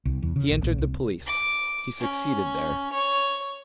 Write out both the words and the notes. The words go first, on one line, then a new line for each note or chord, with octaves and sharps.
He entered the police; he succeeded there.
C2
E2
C#3
A#1
A#1
C2
D6
C#4
C#5